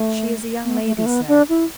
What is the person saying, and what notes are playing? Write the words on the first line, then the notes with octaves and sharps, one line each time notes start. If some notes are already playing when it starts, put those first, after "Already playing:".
"She is a young lady, sir."
Already playing: A3
B3
A3
A3
B3
D4
E4